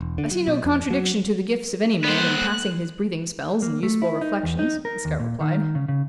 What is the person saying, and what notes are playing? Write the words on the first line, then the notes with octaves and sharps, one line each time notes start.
"I see no contradiction to the gifts of any man in passing his breathing spells in useful reflections," the scout replied.
E1
D3
F#3
B2
F2
F#3
G3 A#3 B3 A4 C5 F#6
A#3
A3
E4
D#4
E2
D#4
A#4
D#2
A#2
D#3
C#3
C#3